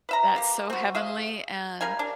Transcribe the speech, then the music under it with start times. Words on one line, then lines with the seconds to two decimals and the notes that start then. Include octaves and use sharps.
That's so heavenly and,
0.09 B4 E5 A#5
0.36 A#3 G4
0.70 C4 F#4
0.95 G#4 E5 F5
1.81 G3 A#4 F5 G#5
1.99 D4